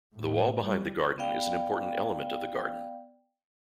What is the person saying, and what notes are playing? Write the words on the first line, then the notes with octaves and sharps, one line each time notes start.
The wall behind the garden is an important element of the garden.
A2
G3
B3 D5 F5 G5